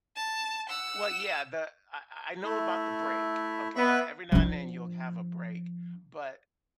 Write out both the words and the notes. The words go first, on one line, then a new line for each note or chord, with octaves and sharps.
Well, yeah, the I I I know about the break, okay? Uh, every now and then, you'll have a break. But
A5
F#5 E6
A3 E4
B3 E5 B5 C#6
F3 D4